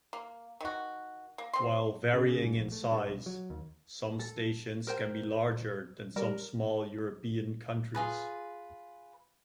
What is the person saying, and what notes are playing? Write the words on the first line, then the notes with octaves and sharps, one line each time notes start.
While varying in size, some stations can be larger than some small European countries.
A#3
D#3 F#4
A#3
C4 C6
C#3
C#3
G#2
A#1
A3
G2
B1
F#3
D#2
A4
A#4 C5 G5
G3 A#4
F4 G#4 B4